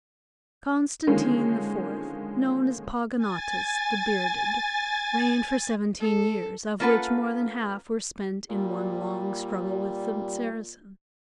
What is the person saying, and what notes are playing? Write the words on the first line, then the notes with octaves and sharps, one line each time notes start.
Constantine IV., known as Pogonatus, "the Bearded," reigned for seventeen years, of which more than half were spent in one long struggle with the Saracens.
D3 D#3 F3 G#3 A#3 C#4
G#5 A6
A4
A#3 C#4 F4 A4 B4 F#5
A#2 G3